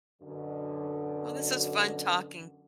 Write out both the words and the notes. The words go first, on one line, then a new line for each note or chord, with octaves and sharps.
Well, this is fun talking.
F#2 B2 D3